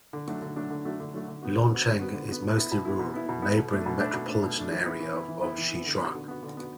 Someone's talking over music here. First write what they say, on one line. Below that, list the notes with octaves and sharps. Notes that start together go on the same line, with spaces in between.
Luancheng is mostly rural, neighbouring the metropolitan area of Shijiazhuang.
D3
F#3 A3 D4 F#4
D3
F#3 A3 D4 F#4
D3
F#3 A3 D4 F#4
D3
F#3 A3 D4 F#4
D3
B3 F#4
D3
B3 F#4
D3
B3 F#4
D3
B3 F#4
B2
B3 E4
B2
B3 E4
B2
B3 E4
B2
B3 E4
B2
A3 D4
B2
A3 D4
B2
A3 D4
B2
A3 D4
E3
B3 E4
E3
B3 E4
E3
B3 E4
E3
B3 E4
D3
B3 F#4
D3
B3 F#4
D3
B3 F#4